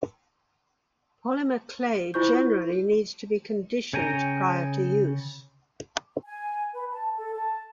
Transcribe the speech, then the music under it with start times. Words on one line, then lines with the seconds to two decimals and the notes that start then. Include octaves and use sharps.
Polymer clay generally needs to be conditioned prior to use.
2.14 E4 F4 C5 C#6 G6
3.93 C#3 C#5 G5 G#5 A#5
6.25 G#5
6.73 B4
6.91 A5
7.16 A4
7.34 A5